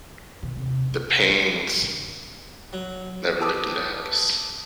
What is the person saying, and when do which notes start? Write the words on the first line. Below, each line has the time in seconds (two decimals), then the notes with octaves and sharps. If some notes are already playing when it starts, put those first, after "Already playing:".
The Paines never lived in the house.
0.43 B2 D#3
0.57 D#2 C3
0.91 A#3 D#4
1.29 G#3
1.81 G2 D#3
2.73 F#3
3.40 G4 A4 B4 A5 D6 D#6